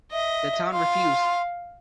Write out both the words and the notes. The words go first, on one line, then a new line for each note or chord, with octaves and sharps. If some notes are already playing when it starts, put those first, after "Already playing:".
The town refused.
D#5 E5
F5 C6